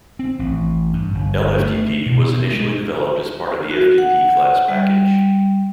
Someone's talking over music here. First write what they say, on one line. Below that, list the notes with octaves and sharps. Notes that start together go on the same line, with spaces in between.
Lftp was initially developed as part of the ftpclass package.
C4
A1
G2
G1
A3
B2
G#3
F#4
F#5
G3